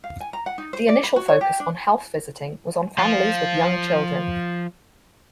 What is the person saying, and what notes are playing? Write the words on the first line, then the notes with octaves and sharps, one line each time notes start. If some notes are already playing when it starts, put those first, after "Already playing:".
The initial focus of health visiting was on families with young children.
F5
G#5
A#5
F#5
D#4
C5
D5
B5
F#4
C#5
G4
D4
F3 F4